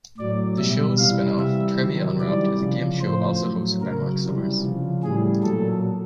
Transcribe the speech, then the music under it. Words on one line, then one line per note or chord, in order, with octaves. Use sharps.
The show's spin-off, "Trivia Unwrapped", is a game show also hosted by Marc Summers.
A2 F#3 D5
B2 G3 E5
C3 E3 G3 F5
C3 E3 G3 E5
C3 D#3 F#3
C3 E3 G3 D5
C#3 F3
A2 F3 C5
F#3
A2
C#3 F#3 A#4
C3 E3 G3
C#3 F3
A2 E3 G3 G#4
A#2 F#3 A4